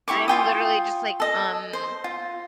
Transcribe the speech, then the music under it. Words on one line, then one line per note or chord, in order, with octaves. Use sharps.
I'm literally just, like, um
E4 G4 C#6 D6
F4 G5 D#6
A4 D#5
C5
F4